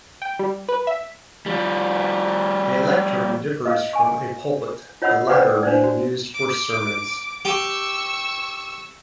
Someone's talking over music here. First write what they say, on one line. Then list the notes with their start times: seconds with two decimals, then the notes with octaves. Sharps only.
A lectern differs from a pulpit, the latter being used for sermons.
0.22 G5
0.39 G3
0.69 B4
0.87 E5
1.46 F3 G3
3.65 D#5 F5
3.93 G#5 C#6
5.02 F4 C#5 D#5 F#5 B5 E6
5.29 B4 C5 D5 F#5 G5
5.63 D4 C5 D5
5.84 F#4
6.34 D6
7.45 G4 C#6 E6